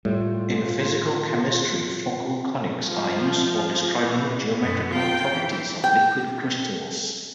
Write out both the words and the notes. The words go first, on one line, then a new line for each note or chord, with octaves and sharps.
In Physical chemistry focal conics are used for describing geometrical properties of liquid crystals.
A2 G3 F4
F3
E3
F#2 B3
F4 G5
E3
G5